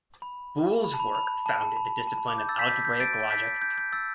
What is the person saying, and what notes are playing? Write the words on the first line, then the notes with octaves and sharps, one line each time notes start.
Boole's work founded the discipline of algebraic logic.
B5
B5
A5
B5
B5
A5
A5
B5
A5
B5
D6
G6
E6 A6
G6 B6
G6
G6
A6 D7
G6 B6
G6
G6
E6 A6